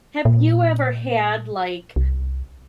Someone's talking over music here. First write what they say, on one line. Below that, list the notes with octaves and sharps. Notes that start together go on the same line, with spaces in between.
Have you ever had, like
A#2
C2